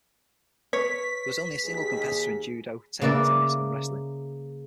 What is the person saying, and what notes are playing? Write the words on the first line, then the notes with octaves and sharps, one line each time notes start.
There was only a single competitor in judo, table tennis, and wrestling.
B4 C#5 B6
D#2 G#4
C#3 A#3 B4 D5 E5